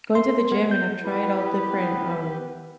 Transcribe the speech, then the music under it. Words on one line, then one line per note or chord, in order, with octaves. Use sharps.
going to the gym, and I've tried all different, um,
C6
B3
G6
B3 E4 G4 B4